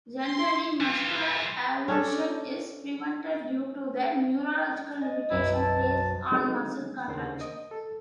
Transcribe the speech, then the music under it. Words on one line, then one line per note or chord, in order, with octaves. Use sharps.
Generally muscular avulsion is prevented due to the neurological limitations placed on muscle contractions.
C6
E3 F4
C#4 D4 A4
D#5 G#5 A6
B1 F#2 E4
A5
D3 F#3 G#3 B3 C4 D#4
D#2 C#3 D4 A#4 C5 C6
D#5
A4